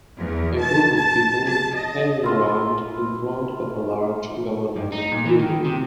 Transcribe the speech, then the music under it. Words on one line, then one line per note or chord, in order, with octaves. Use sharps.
A group of people hanging around in front of a large government building.
E2
A5
A5
A5
D#5
E4 F4 C6
G2
D#4
A#2
E3
D#3
C3